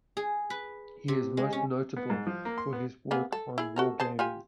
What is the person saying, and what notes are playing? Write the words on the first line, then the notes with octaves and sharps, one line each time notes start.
He is most notable for his work on wargaming.
G#4
B4
C3
G#3
C#4
B3
G#2
F3
A#3
C6
B3
A#3 B3 G#4
A4
E4 G#4
F#4 A4 A#4
G#4 C5 A5
F4 G4 G#5